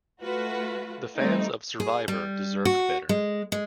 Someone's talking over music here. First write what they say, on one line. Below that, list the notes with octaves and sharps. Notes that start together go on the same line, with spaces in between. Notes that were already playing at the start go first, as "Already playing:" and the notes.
The fans of "Survivor" deserved better.
A3 F4 F#4 B4
G3 A3 C4 D#4
G#4
G3
F#4
G#3
G#3